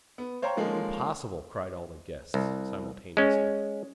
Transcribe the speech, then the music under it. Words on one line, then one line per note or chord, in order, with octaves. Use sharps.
"Impossible!" cried all the guests simultaneously.
B3
C5 C#5 F5 G5 A#5
D3 D#3 F3 G#3 A#3 C#4
C2
G#3 C#4